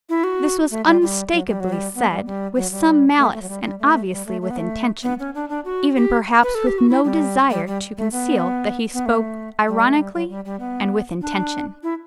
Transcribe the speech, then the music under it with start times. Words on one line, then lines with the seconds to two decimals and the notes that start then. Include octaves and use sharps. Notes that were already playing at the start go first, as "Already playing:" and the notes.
This was unmistakably said with some malice and obviously with intention; even perhaps with no desire to conceal that he spoke ironically and with intention.
0.09 E4
0.24 F#4
0.71 A3
0.86 G3
1.02 G3
1.32 F#3
1.48 G3
1.60 F#3
1.73 G3
1.95 B3
2.10 G3
2.26 G3
2.56 F#3
2.72 G3
3.18 A3
3.33 A3
3.42 F#3
3.49 G3
3.64 G3
3.79 A3
4.11 G3
4.26 A3
4.41 A3
4.51 B3
4.58 A3
5.03 B3
5.20 C#4
5.35 D4
5.49 D4
5.65 F#4
5.96 G4
6.43 B4
6.55 A4
6.67 G4
6.78 F#4
6.89 E4
7.05 G3
7.50 G3
7.67 G3
7.97 A3
8.12 B3
8.94 B3
9.06 A3
9.68 G3
9.86 A3
9.98 G3
10.14 F#3
10.29 G3
10.45 G3
10.60 B3
11.21 D4
11.83 E4